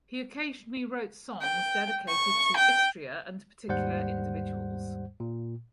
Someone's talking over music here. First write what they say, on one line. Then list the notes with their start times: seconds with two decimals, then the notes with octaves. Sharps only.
He occasionally wrote songs dedicated to Istria and particular individuals.
1.41 G5
2.08 C#6
2.57 G5
3.68 D#2 G#2 G3 C5 F#5 G6
5.20 A#2